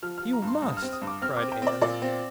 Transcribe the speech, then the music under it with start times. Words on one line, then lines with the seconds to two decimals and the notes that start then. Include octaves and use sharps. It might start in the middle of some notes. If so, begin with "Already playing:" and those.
"You must!" cried Ann.
0.03 F3 F6
0.18 F6
0.23 F3
0.33 A#5
0.42 G2
0.47 C6
0.62 G2
0.68 D#6
0.77 F6
0.82 C4
0.92 D#6
1.02 G2
1.07 D6
1.22 C4 F6
1.37 D6
1.42 C4
1.52 G5
1.62 C4 D5
1.81 A#2 D5
2.02 C4